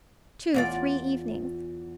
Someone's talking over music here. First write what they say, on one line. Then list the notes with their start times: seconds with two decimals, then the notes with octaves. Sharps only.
'Two--three evenings.
0.54 E2 F4 D5